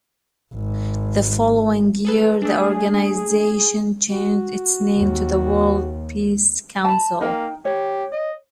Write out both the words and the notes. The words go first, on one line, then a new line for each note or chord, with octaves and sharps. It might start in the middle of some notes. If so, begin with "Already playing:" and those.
The following year the organisation changed its name to the World Peace Council.
G#1
G#4 A4 B4
A3 D4 G#4
F#4
D#2
A5 B5
A#3 D#4 A#4 G5
G4 C#5
D#5